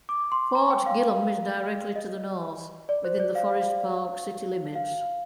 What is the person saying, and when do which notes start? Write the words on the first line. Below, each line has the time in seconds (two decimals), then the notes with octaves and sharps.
Fort Gillem is directly to the north, within the Forest Park city limits.
0.09 D6
0.32 C6
0.55 A#5
0.70 G5
0.86 F5
1.96 D#5
2.89 D5
3.05 C5
3.20 D5
3.35 F5
4.75 F5